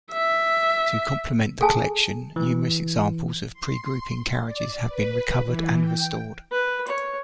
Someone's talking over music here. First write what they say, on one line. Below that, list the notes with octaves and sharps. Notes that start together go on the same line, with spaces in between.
To complement the collection, numerous examples of pre-grouping carriages have been recovered and restored.
E5
G#4 A4 G#5 A5
E3
C6
D5
B4
E3
G5
B4
C#5